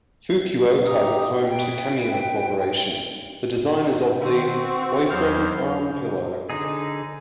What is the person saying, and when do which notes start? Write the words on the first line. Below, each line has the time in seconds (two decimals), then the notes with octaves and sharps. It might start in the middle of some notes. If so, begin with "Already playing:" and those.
Fukuoka was home to Kameo Corporation, the designers of the "Boyfriend's Arm Pillow".
0.86 D#4 G4
1.48 B4 G5
4.20 D#3 C4 F#4
5.10 E2 F#3 C5 F6
6.50 D3 D#4 G#4